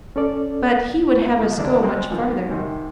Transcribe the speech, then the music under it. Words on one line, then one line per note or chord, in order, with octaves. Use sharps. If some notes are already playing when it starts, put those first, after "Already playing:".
But he would have us go much further.
C#4 A4 D5
E4 F4 B4
F2
E2 C3 G#3 A#3 D4 E4
F#3 G#3 C4
G#2 D#3 F3 B3
G#2 C3 D#3